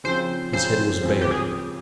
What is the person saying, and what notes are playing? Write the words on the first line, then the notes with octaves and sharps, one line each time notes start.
His head was bare.
C#3 F3 C4 C5
C#3 F3 C4 C5
C#3 F3 C4
G4
G#4